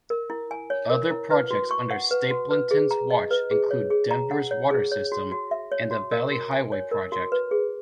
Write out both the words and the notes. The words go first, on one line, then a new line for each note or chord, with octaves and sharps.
Other projects under Stapleton's watch include Denver's water system and the Valley Highway project.
A#4
E4
G#5
C#5
A#4
E4
B4
F#4
C#6
F#5
B4
F#4
B4
G#4
A#5
D#5
B4
G#4
C#5
G#4
A#5
F#5
C#5
G#4
C#5
F#4
F#4
E5
C#5
F#4
A#4
F#4
G#5
C#5
A#4
F#4
B4
G#4